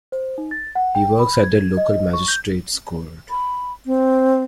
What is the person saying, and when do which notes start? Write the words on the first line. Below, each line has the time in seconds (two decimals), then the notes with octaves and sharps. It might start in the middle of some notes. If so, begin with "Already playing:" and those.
He works at the local magistrate’s court.
0.12 C5
0.38 D#4
0.51 A6
0.75 F#5
0.95 G5
1.19 B5
1.44 G#6
1.77 D#5
2.13 C#6
2.28 G6
3.30 B5
3.86 C4